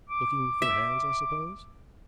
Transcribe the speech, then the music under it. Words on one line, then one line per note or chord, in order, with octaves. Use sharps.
'Looking for hands, I suppose?'
D6
E5